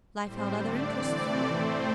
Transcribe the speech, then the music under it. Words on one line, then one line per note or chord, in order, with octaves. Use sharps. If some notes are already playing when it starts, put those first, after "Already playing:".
Life held other interests for you.
A2 G3 C4 C5
D3 A3 D4 D5
E3 C4
C3 E3 A3 C4 D5
A2 A3 C4 C5